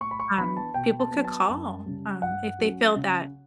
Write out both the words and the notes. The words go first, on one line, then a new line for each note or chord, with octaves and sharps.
um, people could call, um, if they feel that
A2 C#6
B5
C#6
E3 B3 D4 B5
A5
B2 G5
A5
F#3 B3
A5
F#2
C#3 G3
G2 F#5
F#3
C#4
C#3